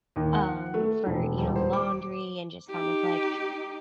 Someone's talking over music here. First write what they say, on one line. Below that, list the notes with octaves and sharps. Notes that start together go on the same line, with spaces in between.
um, for, you know, laundry and just kind of, like,
D#2
F#5
A3
E1
D#1
C5
D6
D#4 G4